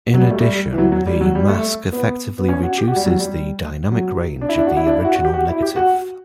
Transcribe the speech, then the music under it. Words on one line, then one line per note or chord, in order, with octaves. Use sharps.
In addition, the mask effectively reduces the dynamic range of the original negative.
F#3
G3
A3
G3
E3
F#3
F#3
G3
F#3
G3
A3
B3
B3
C#4
F#4
G4
F#4
G3
F#3
G3
F#3
D4
E4
D4
F#4
E4
D4
E4
F#4
F#4
G4
F#4
E4
G4
F#4